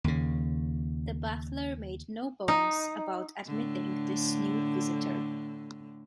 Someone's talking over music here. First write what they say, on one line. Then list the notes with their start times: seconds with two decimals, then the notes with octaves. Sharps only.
The butler made no bones about admitting this new visitor.
0.04 D#2 C#3
2.48 D#4
3.47 A2 D3